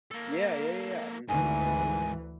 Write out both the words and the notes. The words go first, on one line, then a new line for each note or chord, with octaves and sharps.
Yeah, yeah, yeah, yeah. Mhm, mhm.
A#3 A4
D2 G#2 D#3 E3 G#5